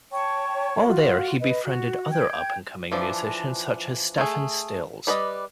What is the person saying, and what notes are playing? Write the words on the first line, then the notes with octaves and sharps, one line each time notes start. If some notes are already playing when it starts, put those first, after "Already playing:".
While there, he befriended other up-and-coming musicians such as Stephen Stills.
C#5 G5 A5 C#6
F4 F#4
B4 D#5
F#4
G5 G6 G#6
E3 F3 D4
A3 G#4
G3 B4 D5 D#5